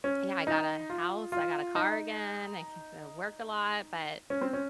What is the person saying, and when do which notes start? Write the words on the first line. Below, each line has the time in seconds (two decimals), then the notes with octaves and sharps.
Yeah, I got a house, I got a car again, I ca worked a lot, but
0.04 C#4
0.47 D#4
0.90 F4
1.32 F4
1.75 D#4
4.30 C#4
4.41 C4
4.53 C#4